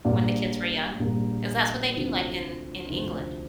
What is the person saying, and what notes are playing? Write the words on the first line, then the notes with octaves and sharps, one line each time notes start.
when the kids were young, 'cause that's what they do, like, in in England.
A#1 A#2 G3 A#3 D5
A#1 A#2 G3 A#3
D2 C3 F3 C4
D2 C3 F3 C4